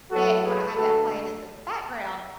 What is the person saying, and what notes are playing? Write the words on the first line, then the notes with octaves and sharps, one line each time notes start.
but when I have that playing in the background,
A2 F#3 A3 F#4 A4
G#4 B4
D3 A3 F#4 A4